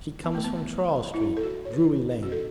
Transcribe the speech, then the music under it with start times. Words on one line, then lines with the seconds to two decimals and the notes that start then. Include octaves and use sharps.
She comes from Charles Street, Drury Lane!'
0.24 B3
0.35 A3
0.45 B3
1.14 E4
1.37 A4
1.43 F#4
1.65 C#5
1.73 B4
2.23 F#4
2.32 A4